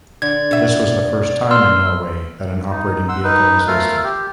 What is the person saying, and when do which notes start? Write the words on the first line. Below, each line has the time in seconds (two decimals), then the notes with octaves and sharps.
This was the first time in Norway that an operating vehicle was listed.
0.22 D3 D5 G#6
0.51 B2 E5
1.51 C6 E6 F6
2.71 D#4
3.08 F#5 C6 E6
3.23 D#4 B4
3.67 A3 F4 A4 A#4 F5 F6
4.04 G4